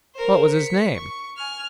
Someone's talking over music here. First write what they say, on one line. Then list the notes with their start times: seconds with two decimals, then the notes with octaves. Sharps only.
"What was his name?"
0.15 A#4 C5
0.49 B6 C#7
0.97 C#6
1.37 G#5 F6